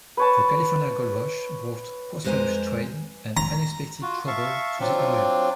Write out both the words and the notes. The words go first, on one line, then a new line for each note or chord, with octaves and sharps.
The California Gold Rush brought prosperous trade and unexpected trouble to the area.
B4 C#5 A5
F2 G#3 B4 C5 G#5 A#5
A#5
F4 F#4
E5 F5 A5 C#6
F#3 C4 D4 F4